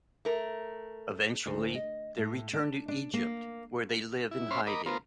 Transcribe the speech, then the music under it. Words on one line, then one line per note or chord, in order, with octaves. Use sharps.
Eventually they return to Egypt where they live in hiding.
A3 A#4
D2
D#5
A2
D4
D4
A#3
E4
C#4 C5 E5 B5 C6 F6
A#4 D#5 B5 D6
B3 F4 A#4 C5